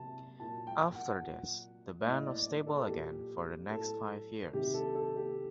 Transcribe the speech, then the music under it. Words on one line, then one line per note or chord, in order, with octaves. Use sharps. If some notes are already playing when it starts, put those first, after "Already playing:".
After this, the band was stable again for the next five years.
Already playing: C3 F#3 A5
A#2 F#3 A5
G5
F#5
A#2 F#3
A2 F#3 D#5
D5
D5
A4
A#2 F#3 G4
A2 F#3 A4
C3 D#3 F#3 G4
A4
A4
G4